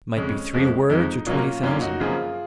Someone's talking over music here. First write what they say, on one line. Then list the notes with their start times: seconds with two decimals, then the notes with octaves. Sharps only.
It might be three words or twenty thousand.
0.17 F2 C#3 G#3 C#4
0.53 F2 F3 G#3
0.90 F2 F3 G#3 D#4
1.26 A#2 F#3 A#3 C#4 F4
1.63 F#2 D#3 A#3 C#4 F4
1.81 D#4 F#4
2.00 F#2 C#3 F3 A#3 F4 G#4